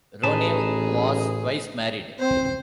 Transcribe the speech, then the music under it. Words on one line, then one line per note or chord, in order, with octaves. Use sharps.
Ronay was twice married.
A1 A2 D#4 G#4 B4 A5
C4 C5